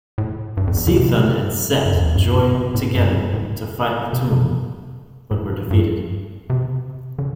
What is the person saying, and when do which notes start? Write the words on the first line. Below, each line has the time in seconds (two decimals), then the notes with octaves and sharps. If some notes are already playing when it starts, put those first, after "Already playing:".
Chthon and Set joined together to fight Atum, but were defeated.
0.18 A2
0.57 G2
0.67 F2
0.77 E2
0.87 D3
0.97 C3
1.17 C3
1.86 G2
1.95 F2
2.06 F2
2.15 G2
2.35 A2
2.55 C3
2.75 A2
2.95 G2
3.34 A2
4.13 C3
4.33 C3
5.31 A2
5.71 G2
6.50 C3
7.19 D3